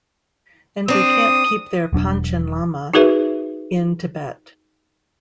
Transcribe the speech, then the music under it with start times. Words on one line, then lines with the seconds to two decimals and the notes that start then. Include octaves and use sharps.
And they can't keep their Panchen Lama in Tibet.
0.88 C4 D4 D#6
1.93 E1 F#3 D4
2.94 D#4 F#4 G#4 A#4 B4 E5